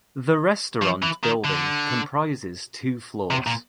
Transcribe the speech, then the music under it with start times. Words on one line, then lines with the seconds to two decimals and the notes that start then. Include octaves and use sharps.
The restaurant building comprises two floors.
0.82 F3
1.03 E3
1.23 D#3
1.44 D3
3.31 C3
3.47 A#2